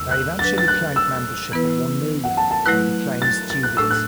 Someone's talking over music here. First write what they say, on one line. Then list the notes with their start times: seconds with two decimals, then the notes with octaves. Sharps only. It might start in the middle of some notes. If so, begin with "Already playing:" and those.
They eventually claimed membership of one million, though the claim is dubious.
Already playing: E2 D3 B3 E6
0.11 F#6
0.39 F#3 D4 B4 A6
0.58 A6
0.68 F#6
0.96 E6
1.52 E3 B3 E4 B4
2.24 F#5
2.37 A5
2.51 A5
2.66 F#3 A3 E4 B4 F#6
3.22 A6
3.50 A6
3.63 F#6
3.77 A2 A3 D4 A4 E6
3.90 F#6